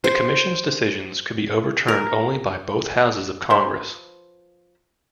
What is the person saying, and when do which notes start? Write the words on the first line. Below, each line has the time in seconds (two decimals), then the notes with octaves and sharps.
The Commission's decisions could be overturned only by both houses of Congress.
0.04 C5
1.88 A#4
3.50 F3 B4 C5